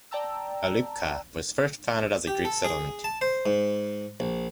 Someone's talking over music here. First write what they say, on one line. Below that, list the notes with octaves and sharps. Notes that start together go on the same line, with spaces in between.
Alupka was first founded as a Greek settlement.
D5 G5 A5 A#5 E6
G4
A4
G#4
A5
C5
G#2
A#1